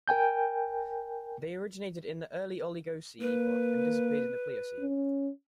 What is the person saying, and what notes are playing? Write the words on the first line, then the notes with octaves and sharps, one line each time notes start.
They originated in the early Oligocene epoch and disappeared in the Pliocene.
A#4 G5 G#5 G6
A#3 B4
C#4